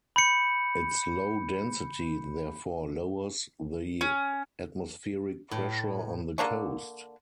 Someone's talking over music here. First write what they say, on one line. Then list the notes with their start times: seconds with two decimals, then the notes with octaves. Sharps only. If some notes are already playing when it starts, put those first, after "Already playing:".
Its low density, therefore, lowers the atmospheric pressure on the coast.
0.16 B5 G6 C#7
4.01 C#4
5.51 A2
6.38 D3 A#3 D4 C#6